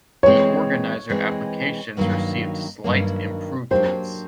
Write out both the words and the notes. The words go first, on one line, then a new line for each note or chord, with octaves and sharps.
The organizer applications received slight improvements.
E3 G#3 C4 C#5
E3 G#3 C4
G2 D#3 F#3 A#3
G2 D#3 F#3 A#3
F#3 A#3 D4 G4 C5